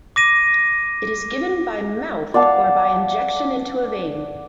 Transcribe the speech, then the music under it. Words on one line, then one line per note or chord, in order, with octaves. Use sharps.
It is given by mouth or by injection into a vein.
D6 A#6 D#7
D5 F5 F#5 A5